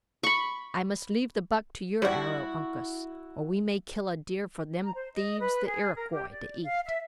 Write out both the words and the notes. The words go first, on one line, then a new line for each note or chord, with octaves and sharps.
"I must leave the buck to your arrow, Uncas, or we may kill a deer for them thieves, the Iroquois, to eat."
B5 C#6
G3 E4 F#4
A#5
C5
D#5
B4
G#4
A#4
G4
D5
F5
E5